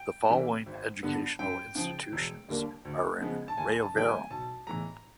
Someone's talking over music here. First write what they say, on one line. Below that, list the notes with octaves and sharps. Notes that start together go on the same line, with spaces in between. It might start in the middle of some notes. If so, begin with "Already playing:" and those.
The following educational institutions are in Rayavaram.
Already playing: G5
C3 E3 G3
G#1
G2 D3 G3 B3
F#2 G5
C#3 F3 G5
E1
D#2 D3 G3 A#3
D2
C#3 F3 G#3 B3
A5
D#2 G#5
A5
D#3 G3 A#3 G5
G#5
B1 A5
A2 E3 G#3 B3 A#5